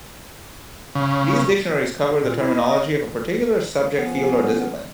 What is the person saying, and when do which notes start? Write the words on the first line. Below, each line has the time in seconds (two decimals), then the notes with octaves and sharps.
These dictionaries cover the terminology of a particular subject field or discipline.
0.95 C#3
2.23 A#2
2.37 E4
2.55 D#5
2.69 D#5
3.99 F3 B3 C#4